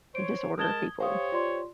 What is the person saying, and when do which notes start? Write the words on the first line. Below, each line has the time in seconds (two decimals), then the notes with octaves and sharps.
disorder people,
0.15 C5 C#5 D7
0.58 G#3 A#4 A5 D#6 G#6 G7
1.01 G4 C5 C#5 F5 D#6
1.32 F4 D5 C6